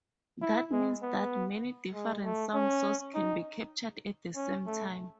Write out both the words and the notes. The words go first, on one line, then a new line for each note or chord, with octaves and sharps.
That means that many different sound sources can be captured at the same time.
E4
G#3
B3
G#3
A3
C#4
D#4
C#4
A3